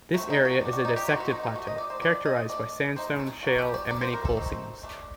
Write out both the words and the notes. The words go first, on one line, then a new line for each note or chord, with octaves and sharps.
This area is a dissected plateau, characterized by sandstone, shale, and many coal seams.
F#3 A3 C4 F#4
D#4
F#4
G3 D4
F#4
D#4
G4
D#3 F#3 C4 D#4 F#4
F#4
D#4
D#4
A3 D4 F#4
D#5
D5
C5
G3 D4 D5
D#5
A3 D4 D5
D#3 A3 D#4 C5
A4
F#3 A#3 D4 F#4
G4
D5
F#3 A#3 D4 D5
C5
A#4
A4
F#3 A3 C4 D#4
A3 D4